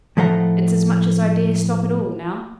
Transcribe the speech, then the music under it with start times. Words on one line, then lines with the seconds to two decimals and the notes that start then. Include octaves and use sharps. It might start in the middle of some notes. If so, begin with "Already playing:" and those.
It's as much as I dare stop at all now.'
0.17 A2 F3 A3 C5 F#5 A#5